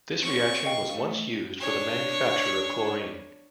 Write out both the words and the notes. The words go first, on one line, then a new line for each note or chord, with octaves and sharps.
This reaction was once used for the manufacture of chlorine.
C4 C#5 C#6
D#5 F5 G5
A3
D4 C#5